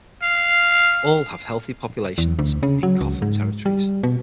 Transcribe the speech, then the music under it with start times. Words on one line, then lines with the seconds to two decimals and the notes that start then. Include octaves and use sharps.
All have healthy populations in Cofan territories.
0.23 F5
2.18 E2
2.39 D2
2.63 C#3
2.83 F#3
3.01 C#2
3.22 G#2
3.66 G3
4.03 B2